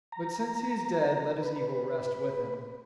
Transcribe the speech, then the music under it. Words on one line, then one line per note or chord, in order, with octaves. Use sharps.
But since he is dead let his evil rest with him.
A#5
B4